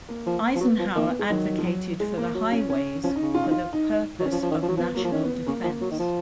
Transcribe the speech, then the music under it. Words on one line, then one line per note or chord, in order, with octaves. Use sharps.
Eisenhower advocated for the highways for the purpose of national defense.
A#3
F3
F3
F#3 B3
F3
D#3 A#3
B3
G#3
D#3 F#3
F3
F#3
G#3
A#3
F#3
C#4
C#4
F3 C#4
D#4
C#3
F4
D#4
F4
D#4
F#3
C#4
F3
F3
D#3
F3
F#3
F3 B3
F#3 A#3
F3
D#3 C#4
B3
B3
C#3 A#3
F3
F#3
D#3
F3